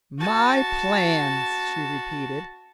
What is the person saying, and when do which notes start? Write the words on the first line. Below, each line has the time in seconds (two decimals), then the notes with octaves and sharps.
"My plans," she repeated.
0.19 F#4 A5